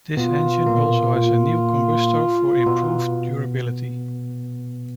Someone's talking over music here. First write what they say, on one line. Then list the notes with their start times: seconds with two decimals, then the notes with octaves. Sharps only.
This engine also had a new combustor for improved durability.
0.17 B2 B3 F4
0.66 A#2 A#3
1.16 F4
2.66 B2 B3